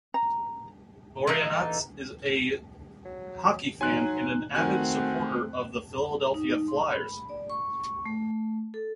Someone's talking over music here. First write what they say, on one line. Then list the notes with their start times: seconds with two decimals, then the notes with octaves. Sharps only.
Boreanaz is a hockey fan and an avid supporter of the Philadelphia Flyers.
0.14 A#5
1.27 E3 A#3 D#4 A4
3.05 F#3
3.81 F#3 D#4 G#5 C6 F#6
4.55 D#3 A3 C4 F#4 G#5 F#6
6.34 D#4
6.68 C6
6.92 B5
7.29 D5
7.50 C#6
8.06 A3
8.74 A4